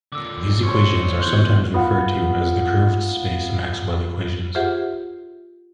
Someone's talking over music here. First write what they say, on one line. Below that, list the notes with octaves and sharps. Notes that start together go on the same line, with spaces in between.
These equations are sometimes referred to as the curved space Maxwell equations.
A#2 D3 D6 E6
C5 C#5
E2 C6 F#6 G6
B3 F4 F#5
F4 G4 G#4 C5 E5 F#5